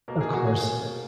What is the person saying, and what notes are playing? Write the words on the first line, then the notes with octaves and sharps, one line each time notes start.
Of course, yea
B2 A#3 A#4
G#4
F#4
G#4